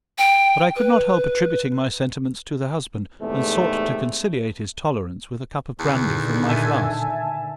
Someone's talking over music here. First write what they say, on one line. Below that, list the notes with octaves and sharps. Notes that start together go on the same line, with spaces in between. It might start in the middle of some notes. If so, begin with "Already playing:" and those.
But I could not help attributing my sentiments to the husband, and sought to conciliate his tolerance with a cup of brandy from my flask.
G5
B4
E2 G#2 C3 A3
E2 A#2 D3 D#3
E5 G#5 A5